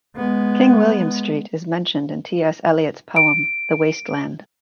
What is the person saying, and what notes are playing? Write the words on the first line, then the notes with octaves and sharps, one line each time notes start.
King William Street is mentioned in T. S. Eliot's poem The Waste Land.
G#3 B3
D7